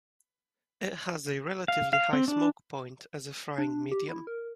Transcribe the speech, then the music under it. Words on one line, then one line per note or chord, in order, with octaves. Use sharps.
It has a relatively high smoke point as a frying medium.
F5
F5
C4
D4
D4
G4
E4
A#4